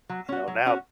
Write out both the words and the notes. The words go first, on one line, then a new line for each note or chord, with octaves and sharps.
You know, now,
F#3
C#4 F#4
F#3
C#4 F#4